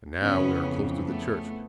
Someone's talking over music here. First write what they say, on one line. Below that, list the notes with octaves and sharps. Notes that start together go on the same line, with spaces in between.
And now we are close to the church.
F2 C#3 E3 B3 C#4
A3 B3